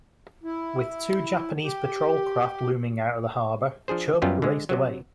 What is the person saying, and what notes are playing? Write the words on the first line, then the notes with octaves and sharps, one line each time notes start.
With two Japanese patrol craft looming out of the harbor, "Chub" raced away.
E4
G4
F3 D4 G#4 C5
F#2 G3 B3 C#4 F4 G4
D3 G#3
C3 F#3